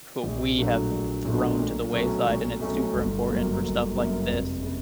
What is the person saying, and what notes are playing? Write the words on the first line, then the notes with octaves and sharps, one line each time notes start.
wh we have thrown to the wayside, and it's super important for stuff like this.
A#1
A#2 F#3 A3 D4
A#1
A#2 F#3 A3 D4
B1
B2 F#3 A3 C#4
B1
B2 F#3 A3 C#4
G1
F#2 C#3 F#3 A#3
G1
F#2 C#3 F#3 A#3
F1
C#3